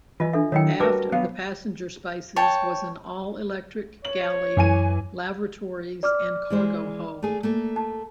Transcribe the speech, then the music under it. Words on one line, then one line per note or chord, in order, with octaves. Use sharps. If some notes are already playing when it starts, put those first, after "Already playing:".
Aft of the passenger spaces was an all-electric galley, lavatories, and cargo hold.
E3 F4 B4 D#5
D4 A4 E5
D#3 F#3 E4 C#5 D#5 G5
G3 F#4 A#4 B4 A5 D6
F#3 B3 F5
C#5 G5 A5
C#5 F#7
F#2 E3 G#5 D#7
D5 D6 F6
E3 G#3 C5
A3 G#4
A3 A#3 A4
A5